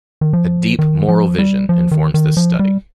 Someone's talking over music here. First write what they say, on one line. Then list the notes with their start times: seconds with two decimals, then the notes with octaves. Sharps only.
A deep moral vision informs this study.
0.21 D#3
0.33 F3
0.79 D#3
1.09 F3
1.38 G3
1.69 F3
1.91 D#3
2.14 D#3
2.37 F3
2.59 G3